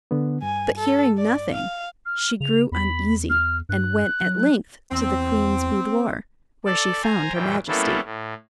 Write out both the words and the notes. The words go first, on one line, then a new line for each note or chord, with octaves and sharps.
But hearing nothing, she grew uneasy, and went at length to the queen's boudoir, where she found her Majesty.
D3 B3
G2 G#5
A4
D5
F5
F6
C#3 F7
E2 B5
F6
G2 F#6
F#3
E2 C4
A4 D5
C5 G#5 A#5
F#2 A#2 E3 G5
G3 A#3 B3 C#4 E4 A4
A2